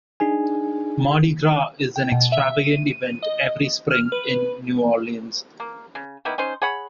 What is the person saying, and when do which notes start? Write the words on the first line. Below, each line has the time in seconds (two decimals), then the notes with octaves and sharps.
Mardi Gras is an extravagant event every spring in New Orleans.
0.20 D4 D#4 G#4 G#5
1.96 G5
2.12 B2
2.32 E5
2.64 D#7
3.22 D#5
3.91 F6
4.12 B4
5.60 A#3
5.95 C#3
6.25 D#3 A#3 B3 E4
6.38 C#4 D#4 C5
6.62 G#4 C#5 F#5 B5